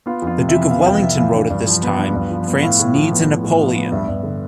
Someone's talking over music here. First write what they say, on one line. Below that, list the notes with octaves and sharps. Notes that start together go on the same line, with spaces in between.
The Duke of Wellington wrote at this time, France needs a Napoleon!
B3 F4
F2 F4
C3
E5
E3
B3 F5
F2 G5
C3 E5
E3 F5
D4
G2
F3
B3
D4
G2
F3
B3
A2 F5
A2
F3
B3
A2
A2
F3
B3
G2 E5
G2
D3